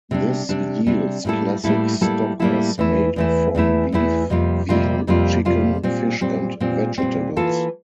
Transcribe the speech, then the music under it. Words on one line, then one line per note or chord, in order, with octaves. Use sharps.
This yields classic stock as made from beef, veal, chicken, fish and vegetables.
C3 G3 D4
C3 G3 D4
C3 G3 D4
A2 G3 A#3 E4 A4
A2 G3 A#3 E4 A4
A2 G3 A#3 E4 A4
A2 G3 A#3 E4 A4
E2 E3 A3 E4
E2 E3 A3 E4
E2 E3 A3 E4
E2 E3 A3 E4
F2 C3 G3 A#3 F4
F2 C3 G3 A#3 F4
F2 C3 G3 A#3 F4
F2 C3 G3 A#3 F4
A#2 G3 C4
A#2 G3 C4
A#2 G3 C4
A#2 G3 C4
E3 A#3 F4 A4